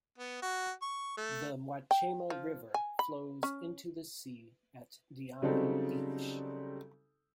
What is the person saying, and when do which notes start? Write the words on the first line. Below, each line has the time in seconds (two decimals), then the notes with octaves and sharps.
The Mwachema River flows into the sea at Diani Beach.
0.18 B3
0.42 F#4
0.82 C#6
1.18 A3
1.91 G5
2.30 F3
2.74 G#5
2.99 B5
3.43 C#4
5.42 C#3 F#3 G3 C4 D#4 A4